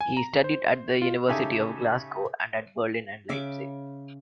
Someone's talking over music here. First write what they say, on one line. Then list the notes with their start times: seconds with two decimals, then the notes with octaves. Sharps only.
He studied at the University of Glasgow and at Berlin and Leipzig.
0.01 G#5
0.17 A#5
0.44 C5
1.02 F4
1.28 C#3 D#4 G4 A4 E5 G#5
3.29 C#3 E5 D6